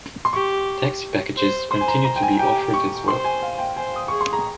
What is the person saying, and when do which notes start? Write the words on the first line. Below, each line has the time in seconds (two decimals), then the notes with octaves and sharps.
Taxi packages continued to be offered as well.
0.25 C6
0.33 G4 C#6
1.36 C5
1.70 C5 C6
1.81 G#5
1.88 A#5
2.05 A#5
2.16 G5
2.22 G#5
2.39 G4 G5
2.74 C#6
3.08 C5 C6
3.24 G#5
3.43 F5
3.59 G5
3.76 C5 G#5
3.96 D#6
4.08 G#4 C#6
4.21 C6
4.33 A#5